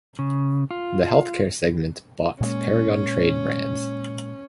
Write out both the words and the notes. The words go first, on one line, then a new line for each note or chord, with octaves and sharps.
The Healthcare segment bought Paragon Trade Brands.
C#3
F4
A#2 G#3 A#3 C#4